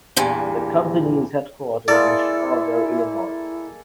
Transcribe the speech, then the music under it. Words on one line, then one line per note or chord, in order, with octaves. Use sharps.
The company is headquartered in Chicago, Illinois.
E2 G2 A#2
G#3 A#3 E4 A4 D5